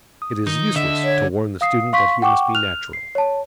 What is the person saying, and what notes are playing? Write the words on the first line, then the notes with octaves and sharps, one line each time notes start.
It is useless to warn the student that he must be natural.
D#6
D#3 D#4
D3 D#5 E5
C#5
F5 D#6 C7
F5 C6 C#6 B6
F#5 G5 C#6 D6
F6 F#6 F7
C7
C#5 A5